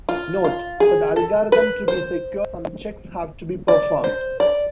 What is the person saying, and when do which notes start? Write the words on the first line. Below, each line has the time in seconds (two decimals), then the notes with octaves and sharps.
Note: for the algorithm to be secure some checks have to be performed.
0.09 F4
0.44 F4
0.80 G#4
1.16 A4
1.52 B4
1.88 C5
3.68 D5
4.04 C5
4.40 D5